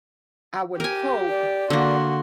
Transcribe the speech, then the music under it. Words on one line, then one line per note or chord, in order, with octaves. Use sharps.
I would hope
G4 A#4 G#5
D5
D3 A#3 F#4 C6